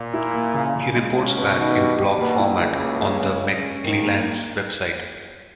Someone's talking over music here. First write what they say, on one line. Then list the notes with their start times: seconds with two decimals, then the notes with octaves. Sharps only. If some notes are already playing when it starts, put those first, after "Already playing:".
He reports back in blog format on the McClelland's website.
Already playing: A#2
0.14 E4
0.33 A#3
0.54 C#3
0.75 C#3
0.96 G#3
1.17 C#4
1.36 B2 B3
1.57 D#3
1.77 G4
1.98 G4
2.19 B2 A#3
2.39 E4
2.59 C#2 C#3 E4
2.80 A#3
3.01 G#3
3.22 C#4
3.42 C#4
3.63 G#3
3.83 D#2 G#2 D#3
4.03 A#3